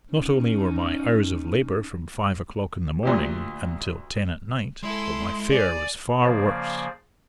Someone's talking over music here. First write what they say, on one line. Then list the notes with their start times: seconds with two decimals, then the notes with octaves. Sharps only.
Not only were my hours of labor from five o'clock in the morning until ten at night, but my fare was far worse.
0.14 C#4 D#4
3.03 D2 A#2 G4
4.83 G#3 E4 A4 C6
5.50 G#4 D5
6.24 C#3 F3 A#3 G#4 C5 D5